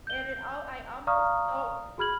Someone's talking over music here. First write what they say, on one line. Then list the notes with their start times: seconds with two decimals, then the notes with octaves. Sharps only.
and it all I almost don't.
0.07 G6 G7
1.07 D5 F5 A#5 C#6 D#6 F6
1.98 F#4 G#4 B5 F6 G#6 F#7